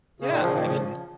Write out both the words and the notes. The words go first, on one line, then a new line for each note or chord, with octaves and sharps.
Yeah, I mean
C#3
A#2 D#3
C#3 F3
A#2 D#3
C#3 F3